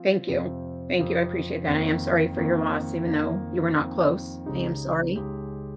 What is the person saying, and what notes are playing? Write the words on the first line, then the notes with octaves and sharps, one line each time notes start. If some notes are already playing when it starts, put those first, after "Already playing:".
Thank you. Thank you. I appreciate that. I am sorry for your loss even though you were not close. I am sorry.
Already playing: F3 C4 F4
F2 C3 F3 C4 F4
F2 C3 F3 C4 F4
F2 D#3 A#3
F2 D#3 A#3
F2 D#3 A#3
F2 D#3 A#3
C#2 C#3 G#3 D#4 G4
C#2 C#3 G#3 D#4 G4